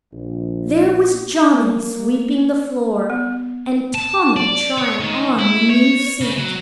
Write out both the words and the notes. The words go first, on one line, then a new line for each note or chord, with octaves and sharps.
There was Johnny sweeping the floor, and Tommy trying on the new suit.
A#1
A#3
B3
A5
D5
C#5
D#3
E4
C#5
C#3
F#3